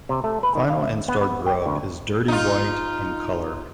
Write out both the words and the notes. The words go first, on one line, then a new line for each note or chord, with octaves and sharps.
Final instar grub is dirty white in color.
C3
A3
B4
D#3
F5
E5
B3
B3
G5
D2
D#4 F4